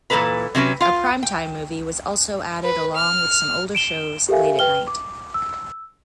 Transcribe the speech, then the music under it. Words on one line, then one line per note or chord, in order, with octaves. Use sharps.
A prime-time movie was also added along with some older shows late at night.
A#2 E3 A#3 A4 B4 A#5
C3 F#3 C#4 B4
F4 F5
G5
B4
F6
D7 E7 G7
G4 A4 A#4 E5 F5 G#5
B4 G5 F6 G7
D6
E6